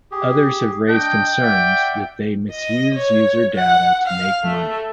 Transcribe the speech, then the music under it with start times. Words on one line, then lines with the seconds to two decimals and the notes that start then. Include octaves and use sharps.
Others have raised concerns that they misuse users data to make money.
0.11 G4 G#4
0.88 D4 D#5 G5
1.41 D5 E5 F#5
2.51 D#5
2.95 C#5
3.54 F#5
4.07 F5
4.44 A3